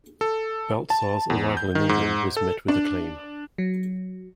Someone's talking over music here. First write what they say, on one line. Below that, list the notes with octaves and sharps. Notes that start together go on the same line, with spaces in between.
Baltzar's arrival in England was met with acclaim.
A4
A5
E2
G6
D#3
G#2
A4
D4
F#3